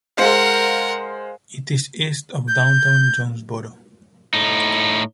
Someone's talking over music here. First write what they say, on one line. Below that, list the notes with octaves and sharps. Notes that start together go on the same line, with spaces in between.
It is east of downtown Jonesboro.
G#3 A#4 C5 F5 F#5
G6
A2 D#4